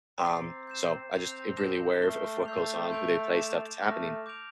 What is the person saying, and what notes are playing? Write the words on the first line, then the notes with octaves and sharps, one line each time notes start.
Um, so I just really aware of what goes on, who they play, stuff that's happening,
C4 A#5 D6 A6 C7
G6 C7 E7
C4 G6 C7 F7
A5 D6 G6 A#6 E7
A3 F6 C7 G7
A3 E6 G6 C7 F7
C6 G6 D7 F7
A5 D6 A6 E7
A3 D6 F6 A#6
D6 G6 D7 F7